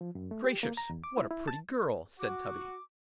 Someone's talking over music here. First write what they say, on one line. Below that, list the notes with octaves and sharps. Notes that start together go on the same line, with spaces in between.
'Gracious! what a pretty girl!' said Tubby.
F3
F#2
A3
G4
A#3
A#5
E2
D6
E4
E4
A5
F#4 D6